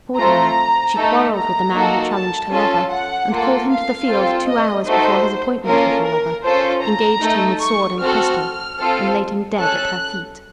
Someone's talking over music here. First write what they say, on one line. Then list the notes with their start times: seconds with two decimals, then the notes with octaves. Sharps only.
Accordingly she quarrelled with the man who challenged her lover, and called him to the field two hours before his appointment with her lover, engaged him with sword and pistol, and laid him dead at her feet.
0.17 A3 C4 F4 A#5
0.95 A3 D#4 A4
1.35 A#5
1.73 A#3 D#4 F#4 A4
2.13 A5
2.52 C#4 F4 A4 A5
2.91 F#5
3.31 A#3 F4 A4
3.70 F5
4.08 C4 F4 A4
4.48 D#5
4.87 A3 D#4 F#4 A4 C5
5.65 A#3 C#4 F4 A4 A#4
6.05 A#4
6.43 C#4 F4 A4 C5
6.83 A#5
7.22 A3 D#4 A4
7.62 C#6
8.01 C4 F#4 A4 F6
8.79 C4 F4 A4
9.57 C#4 A4 F#6